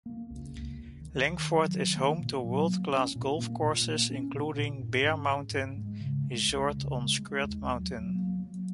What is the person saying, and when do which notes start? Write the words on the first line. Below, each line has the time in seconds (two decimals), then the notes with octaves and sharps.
Langford is home to world-class golf courses including Bear Mountain Resort on Skirt Mountain.
0.06 A#3
0.30 C#2
0.54 C#2
0.78 C#2
1.01 D#3
1.25 D#3
1.49 F#3
1.73 D#3
1.96 A#3
2.20 A#2
2.44 F#3
2.67 A#3
2.92 C#4
3.15 A#2
3.38 A#3
3.62 A#2
3.87 A#3
4.10 C#4
4.34 A#2
4.58 A#2
4.81 G#2
5.06 C#4
5.29 G#2
5.53 G#2
5.77 G#3
6.00 C#3
6.24 G#3
6.49 C#2
6.71 C#3
6.95 G#3
7.19 G#3
7.43 D#2
7.67 F#3
7.90 F#3
8.15 A#3
8.38 F#3